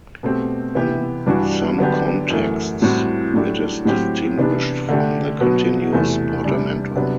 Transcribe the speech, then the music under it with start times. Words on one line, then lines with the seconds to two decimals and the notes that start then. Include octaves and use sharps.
In some contexts it is distinguished from the continuous portamento.
0.23 B2 A3 C4 G4
0.75 C3 E3 B3 E4 G4
1.26 G2 E3 G3 D4 F#4
1.78 D3 F#3 B3 D4 G4
2.30 F#2 E3 A3
2.82 A2 G3 C4 F#4
3.34 A2 F#3 A3 D4 G4
3.85 A2 F#3 C4 G4
4.37 C3 E3 B3 D4
4.89 D3 A3 D4 G4
5.41 B2 F#3 B3 F#4
5.93 E2 C3 E3 A3
6.44 C3 G3 D4
6.95 C3 F#3 B3 D4